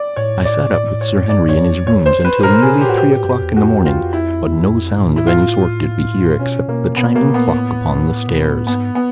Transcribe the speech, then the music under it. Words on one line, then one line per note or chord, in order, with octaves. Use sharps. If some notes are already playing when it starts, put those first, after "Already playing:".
I sat up with Sir Henry in his rooms until nearly three o'clock in the morning, but no sound of any sort did we hear except the chiming clock upon the stairs.
Already playing: D5
A2 C#5
D5
D5
C#5
G2 D5
G2
C#5
F#2
F2
E2 C#5
C5
B4
A#2 A#4
G#4
B2
G4
A2 F#4
A#2 G4
A2
F#2
G2
E2
F2 F#4
F4
E4
F#2
F2
G#2
A2
E4
F4
B2 C#4
B2 A#3
B2 B3
B2 A#3
A#2 B3
A2
B2
A#2
A2
G#2 B3
B3